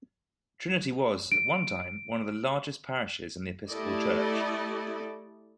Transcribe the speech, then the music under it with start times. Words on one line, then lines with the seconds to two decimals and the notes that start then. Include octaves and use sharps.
Trinity was, at one time, one of the largest parishes in the Episcopal Church.
1.32 D7
3.70 A3 E4 G4 A4 D5 D#5